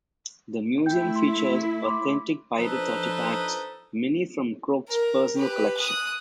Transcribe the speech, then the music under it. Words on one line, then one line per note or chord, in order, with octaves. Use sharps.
The museum features authentic pirate artifacts, many from Croce's personal collection.
A3 E4 G5 G6
C6
B5 C6 D6
F3 D4 D#4 A4 B4 C5
A#4
G4 B4
D#6 F#6